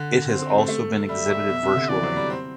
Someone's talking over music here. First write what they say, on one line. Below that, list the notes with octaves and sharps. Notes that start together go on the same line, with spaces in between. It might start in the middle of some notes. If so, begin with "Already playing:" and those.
It has also been exhibited virtually.
Already playing: D3
C4
C4
C4
A3
A3
G3 E5
B2
C3
D3
E3 D5
F#3
G3
C4